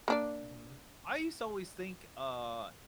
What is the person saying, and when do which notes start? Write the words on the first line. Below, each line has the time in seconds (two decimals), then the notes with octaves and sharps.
Mhm. I used to always think, uh,
0.08 A#3 D4 D5